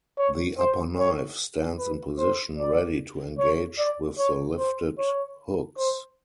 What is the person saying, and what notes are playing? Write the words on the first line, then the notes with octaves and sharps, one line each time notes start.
The upper knife stands in position ready to engage with the lifted hooks.
C#5
C5
C#5
B4
C5
D5
C#5
D5
C#5
C5
C#5
C5